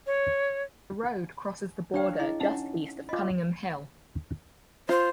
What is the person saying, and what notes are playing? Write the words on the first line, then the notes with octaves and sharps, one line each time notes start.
The road crosses the border just east of Cunningham Hill.
C#5
D4 C#5 D5 F5 G5
E4 G#4 D#5
C#4 D#4 F#5 A5
F4 D#5 B5 D6
F4 C5